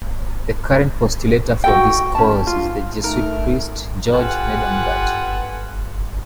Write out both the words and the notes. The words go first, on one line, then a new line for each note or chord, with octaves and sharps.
The current postulator for this cause is the Jesuit priest George Nedungatt.
F#4 A4 G5
C#4 A5
F4
A3 D#4 A#4
F4 G4 A4 B4 F#5 G#5